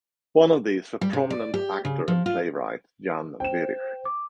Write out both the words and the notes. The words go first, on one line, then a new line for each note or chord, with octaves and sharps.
One of these was prominent actor and playwright Jan Werich.
G3
C3
D5
G4
C#3
F3
F4
C5 G5 E7
D6